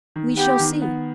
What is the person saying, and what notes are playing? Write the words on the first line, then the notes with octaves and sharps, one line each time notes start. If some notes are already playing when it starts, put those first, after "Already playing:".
"We shall see."
D#3
B3 G4
D#3
B3